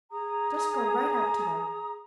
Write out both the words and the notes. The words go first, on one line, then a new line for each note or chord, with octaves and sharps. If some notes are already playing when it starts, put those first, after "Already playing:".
Just go right out to them.
G#4 A#5 D#6